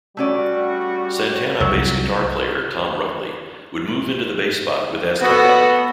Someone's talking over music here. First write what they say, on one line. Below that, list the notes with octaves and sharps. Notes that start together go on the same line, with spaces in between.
Santana bass guitar player Tom Rutley would move into the bass spot with Azteca.
G3 A3 C#4 F#4 D5
C2 F#3
B3 F#4 A4